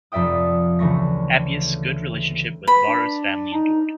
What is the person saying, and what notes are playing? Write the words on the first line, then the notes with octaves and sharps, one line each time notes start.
Appius' good relations with Varro's family endured.
F1 F2 D5 E5 G5 D#6
D2 C#3 E3 A3 C#6 A#6
B4 B5
D4
D#4